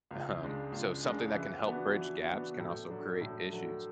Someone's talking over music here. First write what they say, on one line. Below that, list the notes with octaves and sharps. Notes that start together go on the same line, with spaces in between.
Um, so something that can help bridge gaps can also create issues.
C#2
C#3 G#3 D4
C#2
C#3 G#3 D4
E3
B3 D4 F#4
E3
B3 D4 F#4
A2
F#3 A3 D4
A2
F#3 A3 D4